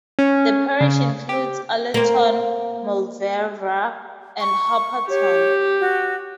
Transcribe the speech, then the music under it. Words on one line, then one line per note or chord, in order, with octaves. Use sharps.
The parish includes Allerton Mauleverer and Hopperton.
C#4
C#3
G4
A#3 C4
C#6
G4 C#5
F#4